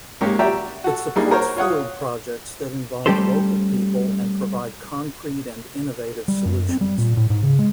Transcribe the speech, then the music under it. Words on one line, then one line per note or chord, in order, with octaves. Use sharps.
It supports field projects that involve local people and provide concrete and innovative solutions.
G#2 A#3 C#4 G4
F#4 G4 D5 E5 G5 A#5
F#4 A4
G3 A#3 D4 D#4 G#4
F#4 A#4 C5 C#5
F4 C#5 F#5 D#6
G3 A3 C#4 G4 A4 C5
G3
F#2
C4
G3
A#2
A2
G#2
C#3
G#3